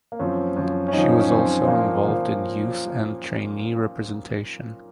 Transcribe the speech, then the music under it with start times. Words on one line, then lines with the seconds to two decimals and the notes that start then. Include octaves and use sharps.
She was also involved in youth and trainee representation.
0.12 A#3
0.19 F#2 F3 C4
0.56 F#2 F3
0.88 C#4
0.93 F#2 F3 D#4
1.21 C#4
1.30 F#2 F3 C4
1.61 C4
1.67 A#2 F3 A#3
2.05 A#2 F3